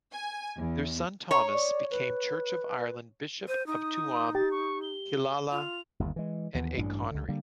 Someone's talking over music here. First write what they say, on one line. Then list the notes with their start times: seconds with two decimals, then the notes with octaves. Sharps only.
Their son Thomas became Church of Ireland Bishop of Tuam, Killala and Achonry.
0.12 G#5
0.57 E2
1.31 C#5 A#5
1.53 D5
1.91 B4
3.48 C5 D#7
3.67 D#4 D#6
4.35 G4 A6
4.51 C#6
4.82 G7
5.51 F4 F7
6.00 G1 D#2
6.16 E3 G#3
6.54 D#2 E3 B3
6.78 A1 G2 A#2 D4
7.11 C#2 D3
7.29 D3 G3 A#3